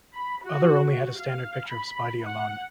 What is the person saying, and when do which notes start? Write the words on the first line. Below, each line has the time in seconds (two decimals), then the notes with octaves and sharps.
Other only had a standard picture of Spidey alone.
0.14 B5
0.44 F#4
0.91 F#4
1.19 F5
1.69 B5
2.26 F#5